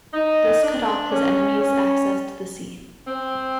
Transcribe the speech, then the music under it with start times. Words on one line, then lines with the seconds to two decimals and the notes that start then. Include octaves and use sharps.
This cut off his enemies' access to the sea.
0.14 D#4
0.63 D4
1.12 C#4
1.61 C#4
3.07 C4